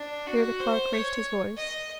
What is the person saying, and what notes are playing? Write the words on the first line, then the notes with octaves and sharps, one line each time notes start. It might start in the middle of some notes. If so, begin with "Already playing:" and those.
Here the Clerk raised his voice.
Already playing: D4
F#4
C5
C#5
D#5